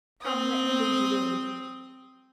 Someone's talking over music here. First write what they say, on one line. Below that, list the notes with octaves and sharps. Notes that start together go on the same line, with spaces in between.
Come, let me lead you in.
C4 D#6